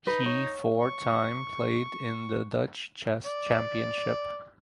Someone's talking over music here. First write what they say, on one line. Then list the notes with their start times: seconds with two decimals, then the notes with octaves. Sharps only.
He four time played in the Dutch Chess Championship.
0.07 D#4 B4
0.26 C#5
0.80 C#6
3.25 D5